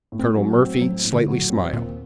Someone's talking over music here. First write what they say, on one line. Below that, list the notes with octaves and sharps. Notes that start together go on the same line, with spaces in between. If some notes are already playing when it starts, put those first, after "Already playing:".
Colonel Murphy slightly smiled.
A2
C4
F#3
A3
C4
A2 F#3
A2
D3
F#3
A#2
C4
D#2 A#2